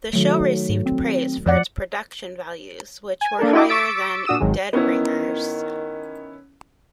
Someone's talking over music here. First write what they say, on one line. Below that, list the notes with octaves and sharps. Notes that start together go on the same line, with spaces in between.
The show received praise for its production values which were higher than "Dead Ringers".
D#3 F#3 A3
G#2
C4
F2 F3 D5 F#5
G#5
A#3 D4 A4 A#4
E4 F#4 G4 D#5 E5 D6
C#6 D6 E6 A6 B6 D7
A#2 D4 F#4 D#6 E6 E7
G#1 D#3 F#3 G#3
D#3 B3 C#4 E4